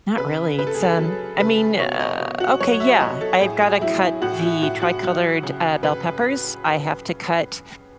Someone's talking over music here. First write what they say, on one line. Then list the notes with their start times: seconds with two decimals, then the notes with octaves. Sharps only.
Not really. It's, um, I mean, uh okay, yeah. I've gotta cut the tri-colored, uh, bell peppers. I have to cut
0.18 C#3 B4
0.59 C#3 B4
0.67 A4
0.75 G#4
0.83 A4
0.99 F#3
1.40 C#3 B4
1.79 B2 C#5
2.00 D#5
2.19 B2
2.40 F#4
2.61 F#3 C#5
2.80 E5
3.00 F#3 D#5
3.21 A4
3.41 A2 G#4
3.61 G#4
3.81 F#3 E4
4.02 E4
4.22 A2 F#4
4.42 E4
4.61 A2 F#4
4.82 F#4
5.03 F#3
5.43 C#3
5.83 C#3 B4